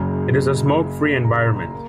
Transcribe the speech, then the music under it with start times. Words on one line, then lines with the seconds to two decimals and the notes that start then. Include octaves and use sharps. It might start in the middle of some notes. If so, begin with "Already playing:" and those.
It is a smoke-free environment.
Already playing: F#1 F#2 C#3 F#3 A#5
1.25 A#5
1.40 C6
1.56 A#5
1.73 A#3